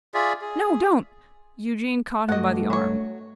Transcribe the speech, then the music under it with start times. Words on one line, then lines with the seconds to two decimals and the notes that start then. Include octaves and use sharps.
'No, don't!' Eugene caught him by the arm.
0.14 F4 G#4 D5 E5
0.41 G#4
2.29 G2 A3 F#4 D#5 F#5
2.70 F#3 C#5